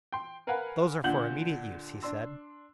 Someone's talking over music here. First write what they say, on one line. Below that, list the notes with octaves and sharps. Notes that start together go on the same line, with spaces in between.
"Those are for immediate use," he said.
G5 C6
A#4 B4 F5 F#5 G#5 B5
A#2 D3 F#5 G6 F#7
D4 C6 E6